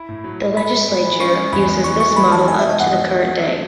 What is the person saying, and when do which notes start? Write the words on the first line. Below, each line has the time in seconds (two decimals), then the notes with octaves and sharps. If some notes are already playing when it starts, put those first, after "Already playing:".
The Legislature uses this model up to the current day.
Already playing: E4 B5
0.09 A2
0.24 F#3
0.41 F#3
0.57 G#3 B5
0.72 G#3
0.88 G#3
1.04 E3
1.20 C#4 C#6
1.36 G#3
1.53 E2 B5
1.68 G#3
1.84 E3 C#6
1.99 E3 C#6
2.16 B3 B5
2.31 E3 A5
2.48 D#4 G#5
2.59 E5
2.64 B2
2.69 D#5
2.80 E2 F#5
2.96 G#3
3.12 A3
3.28 F#3
3.43 A3